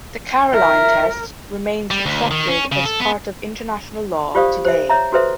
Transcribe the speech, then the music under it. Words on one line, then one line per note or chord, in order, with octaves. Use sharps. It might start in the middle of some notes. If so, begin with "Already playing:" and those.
The "Caroline" test remains accepted as part of international law today.
A#4 E5
G3
D2
D#3
C#4
C#3
A4
B3
F4 G4 C5 D5 F5 D#6
C5 E5
C#5 E5 A#5
F#4 A4 B4 C5 E5